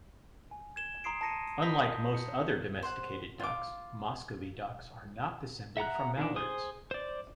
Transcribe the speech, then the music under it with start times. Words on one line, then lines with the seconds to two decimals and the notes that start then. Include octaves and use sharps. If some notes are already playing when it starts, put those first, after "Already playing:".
Unlike most other domesticated ducks, Muscovy ducks are not descended from mallards.
0.51 G#5
0.76 G#6 E7 G7
1.04 A#5 C6 D#6 C7 D7
1.21 A5 A#5 A#6 C#7 D#7
1.63 D#6 G6 A#6 B6 F7 G7
2.14 C#7
2.83 C5 F#5
3.40 F4 D6
5.77 E5 F#5 A#5 F#6
6.18 D#3 D4
6.36 G#4 C5 D#6
6.91 C5 D5